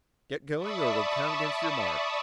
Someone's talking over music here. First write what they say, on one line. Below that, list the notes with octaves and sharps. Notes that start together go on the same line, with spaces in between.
"Get going or it'll count against your mark!"
D5 E5 A5 B5 C#6 D#6